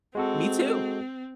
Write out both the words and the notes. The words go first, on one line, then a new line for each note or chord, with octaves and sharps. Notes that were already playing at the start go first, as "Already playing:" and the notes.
Me too.
G#3 C4 F#4 A4